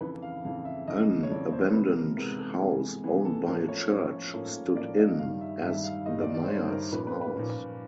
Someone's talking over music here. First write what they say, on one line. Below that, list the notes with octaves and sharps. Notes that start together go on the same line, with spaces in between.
An abandoned house owned by a church stood in as the Myers house.
F2 C#3 E3 B4
F5
F2 C#3 E3 F5
E5
F2 C#3 E3 D#5
C#5
F2 C#3 E3 D5
C5
C3 E3 G#3 B3 B4
A#4
C3 E3 G#3 B3 A#4
A4
C3 E3 G#3 B3 G#4
C3 E3 G#3 B3 G#4
A4
A2 F3 A#3 C#4 A#4
C#5
A2 F3 A#3 C#4
A2 F3 A#3 C#4
A2 F3 A#3 C#4 D5
D#5
G2 D#3 G3 F5
E5
G2 D#3 G3 E5
E5
F5
G2 D#3 G3 D#5
D5
D5
C5
G2 D#3 G3 C#5
A#4
A#2 F3 A#3 C#4 B4
B4
B4
A#2 F3 A#3 C#4